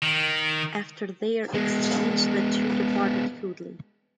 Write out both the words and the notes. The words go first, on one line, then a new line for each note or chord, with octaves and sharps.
After their exchange, the two departed coolly.
D#3
G#3 B3